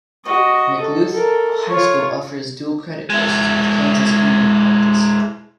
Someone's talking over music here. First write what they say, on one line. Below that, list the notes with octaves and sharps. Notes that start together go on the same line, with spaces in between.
McLouth High School offers dual credit courses with Kansas community colleges.
F#4 D#5
A4
A4 A#4
F4 C#5
G#3 E4